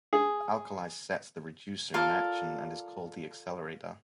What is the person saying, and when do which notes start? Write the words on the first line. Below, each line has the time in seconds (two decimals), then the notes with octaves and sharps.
The alkali sets the reducer in action and is called the accelerator.
0.13 G#4
1.94 F4 A4 A#4 D5